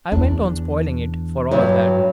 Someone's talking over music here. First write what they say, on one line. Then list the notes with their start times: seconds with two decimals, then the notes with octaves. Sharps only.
I went on spoiling it, for all that.
0.12 E2 D4
1.51 G2 F#3